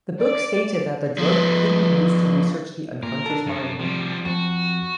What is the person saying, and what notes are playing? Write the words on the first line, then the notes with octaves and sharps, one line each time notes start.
The book stated that the drug could be used to research the unconscious mind.
D5
F3 B3
A#2 A#4
D4 A4
F#2
C3 F3 G3
F2 F#4